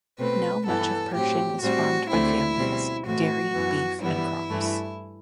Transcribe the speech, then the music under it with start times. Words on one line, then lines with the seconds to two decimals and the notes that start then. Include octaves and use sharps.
Now much of Pershing is farmed by families: dairy, beef and crops.
0.19 B2 A3 C4 B4
0.66 G2 E3 B3 A4
1.15 A2 F#3 C4 G4
1.62 A2 G3 C4 F#4
2.10 D2 D3 A3 C4 E4
2.58 B2 G3 C4
3.06 A2 E3 A3 C4 F#4
3.54 F#2 E3 B3
4.02 G2 E3 G3 B3 E4
4.50 G2 E3 A3